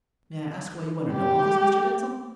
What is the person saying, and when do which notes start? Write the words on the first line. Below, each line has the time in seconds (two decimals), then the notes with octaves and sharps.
"May I ask why you want to know all this, Mr. Denzil?"
1.14 G4